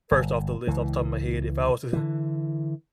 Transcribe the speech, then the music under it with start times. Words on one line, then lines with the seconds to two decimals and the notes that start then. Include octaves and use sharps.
first off the list, off the top of my head, if I was to ha
0.11 G1
0.67 C#2 E3
1.93 D3 E3